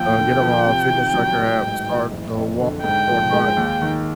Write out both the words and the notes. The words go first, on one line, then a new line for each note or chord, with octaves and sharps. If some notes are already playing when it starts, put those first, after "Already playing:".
uh, get on my fitness tracker app, start the walk or whatnot,
Already playing: D#2 F3 G5
D3
F3
C3
D#3
F#3
A1
G#2
E3
F#1
F2
D3
G#2 G5
F3
G#3
D#2
D#3